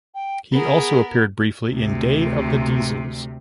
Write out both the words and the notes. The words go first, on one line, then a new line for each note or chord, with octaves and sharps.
He also appeared briefly in "Day of the Diesels".
G5
B3 G#4 A#4
D2 C3